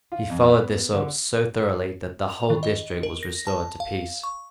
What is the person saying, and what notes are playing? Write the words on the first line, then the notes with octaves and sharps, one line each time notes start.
He followed this up so thoroughly, that the whole district was restored to peace.
F4
F2
B3
D3
F7
D#3
D#5
A#4
A#6
A5
F5
C#6